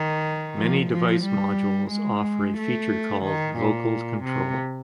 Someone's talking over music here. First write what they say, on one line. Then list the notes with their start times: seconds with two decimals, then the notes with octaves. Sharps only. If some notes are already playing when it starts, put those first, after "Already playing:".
Many device modules offer a feature called "local control".
Already playing: D#3
0.57 F3
0.91 F3
1.24 G3
1.91 G#3
2.58 A3
3.25 D#3
3.58 A#2
4.24 C3